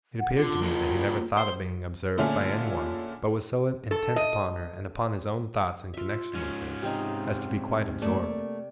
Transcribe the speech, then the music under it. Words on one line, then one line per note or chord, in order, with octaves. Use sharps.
It appeared to me that he never thought of being observed by anyone; but was so intent upon her, and upon his own thoughts in connexion with her, as to be quite absorbed.
F#5
D3 F4
F#3 A#3
C5
A#2 D3 A3 C#4 F4 G#4
A4
D#5
F4 E5
G#2 C#4
C3 C4 D#4
A3 A#3 D5